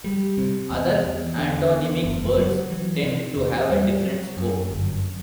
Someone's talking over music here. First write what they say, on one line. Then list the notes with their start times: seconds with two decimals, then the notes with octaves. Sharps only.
Other antonymic words tend to have a different scope.
0.04 G3
0.37 C3
0.70 E2
1.04 E2
1.37 D3
1.71 E2
2.04 F#1
2.36 F#3
2.70 E3
3.03 C3
3.36 E2
3.70 G3
4.03 F#3
4.37 F#2
4.70 G1